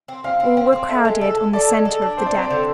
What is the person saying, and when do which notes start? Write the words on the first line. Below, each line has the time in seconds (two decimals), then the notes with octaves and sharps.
All were crowded on the centre of the deck.
0.08 C4
0.24 C4 F5
0.40 C4
0.57 C4
0.73 C4
0.89 A4 E5
1.05 G#3
1.21 A4
1.37 A4
1.53 A4 D5
1.70 G#3
1.85 A4
2.02 D4
2.17 C4 C5
2.26 D5
2.34 C4 C5
2.42 D5
2.50 D3 C5